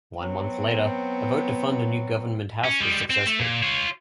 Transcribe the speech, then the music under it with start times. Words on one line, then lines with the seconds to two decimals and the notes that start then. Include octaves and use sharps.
One month later a vote to fund a new government house was successful.
0.20 F#3 B3 C4
2.64 C#4
2.80 G3 G#3
3.10 C4
3.26 A3
3.39 A#2
3.63 F4 C#5